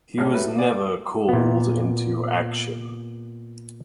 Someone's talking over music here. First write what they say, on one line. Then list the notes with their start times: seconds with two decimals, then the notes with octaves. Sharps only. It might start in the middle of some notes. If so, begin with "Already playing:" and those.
He was never called into action.
0.18 A#1 A2 C#3 C#4 G#4 F6
0.33 F#3 G3 A3 B4
0.58 D5 G#5
1.29 A#2 B3